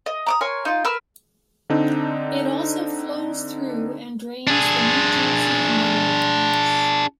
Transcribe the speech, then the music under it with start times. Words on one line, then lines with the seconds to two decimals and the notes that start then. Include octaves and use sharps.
It also flows through and drains the New Jersey Meadowlands.
0.06 D#5
0.26 A#5 D6 D#6
0.41 A#4 C#5 G#5 C6
0.65 D#4 F4
0.85 A#4 B4 E6 F6
1.70 D3 C4 D4 D#4
4.47 D4 G#4